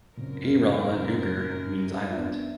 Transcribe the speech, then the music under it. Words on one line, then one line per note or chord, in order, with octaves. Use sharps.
Aral in Uighur means island.
F#2 A#2 C#3 C4 A#4
B3 D4 E5